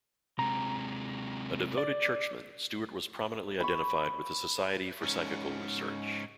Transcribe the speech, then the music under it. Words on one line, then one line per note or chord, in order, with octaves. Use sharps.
A devoted churchman, Stewart was prominently identified with the Society for Psychical Research.
C3 G#3 A#5
D5
B5 C#6
G#2 C#4